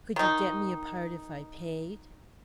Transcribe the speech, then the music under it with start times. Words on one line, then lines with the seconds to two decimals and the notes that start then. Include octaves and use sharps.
"Could you get me a part if I paid?"
0.16 D#3 D#4